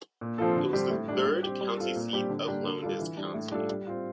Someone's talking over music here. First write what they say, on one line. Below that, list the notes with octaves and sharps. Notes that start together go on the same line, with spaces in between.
It was the third county seat of Lowndes County.
A#2
F3 C4 F4 A4
D3
G3 C4 G4
A2
G3 D4
G3
C4 G4
G3
C4 F4 A4
A#2
G3 C4 G4
D3
G3 A#3 D4 G4
D3
G3 D4 F4 A4
E3
G3 D4
A2
G3 D4 F4 A4
G3
C4 F4